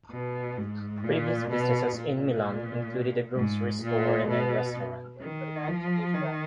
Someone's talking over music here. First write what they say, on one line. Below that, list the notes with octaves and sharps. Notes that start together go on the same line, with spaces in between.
Previous businesses in Milan included a grocery store and a restaurant.
B2
G#2
A#2
B2
A#2
G#2
A#2
B2
D#3
F3
D#3